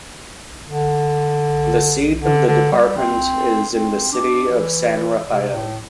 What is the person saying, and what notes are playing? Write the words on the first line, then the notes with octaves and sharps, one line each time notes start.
The seat of the department is in the city of San Rafael.
D3
D3
D3
G3
C4
C4
D4
E3
C3
A2